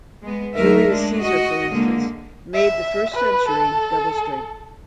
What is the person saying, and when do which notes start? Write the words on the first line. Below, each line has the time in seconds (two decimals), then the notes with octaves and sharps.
Julius Caesar, for instance, made the first century double strength.
0.22 G#3 B3
0.53 D2 F#3 D#4 A#4 E5
0.88 G#3 D4
1.19 F#4 D#5
1.69 D3 G#3 A#3
2.54 E5
3.14 B4
3.49 A4